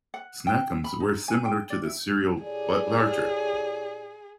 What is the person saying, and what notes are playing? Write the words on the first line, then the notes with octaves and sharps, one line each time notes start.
Snack Ums were similar to the cereal but larger.
F#5
G5
B5
D#4
G#5
G5
D5
E4
A2 G4 G#4 D5